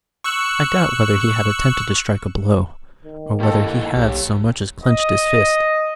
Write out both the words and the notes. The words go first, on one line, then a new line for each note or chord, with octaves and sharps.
I doubt whether he had attempted to strike a blow, or whether he had so much as clenched his fist.
C#6 E6 F#6
D#3
G2 A#3 E4 A4 D#5
B1 G4 C#5
D#5